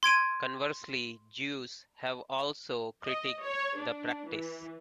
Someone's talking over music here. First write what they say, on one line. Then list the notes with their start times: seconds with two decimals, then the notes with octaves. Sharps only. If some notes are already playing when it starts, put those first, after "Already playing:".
Conversely, Jews have also critiqued the practice.
0.03 C6 G#6 D7 D#7
3.04 D#5
3.41 C#5
3.77 D4
4.26 E3